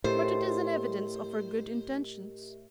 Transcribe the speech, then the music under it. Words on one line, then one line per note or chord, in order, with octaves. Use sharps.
But it is an evidence of her good intentions.
A2 G4 A#4 C5 D#5